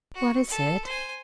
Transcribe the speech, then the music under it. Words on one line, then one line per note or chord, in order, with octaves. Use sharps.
"What is it?"
F#4 C#6
A4
C5 G#5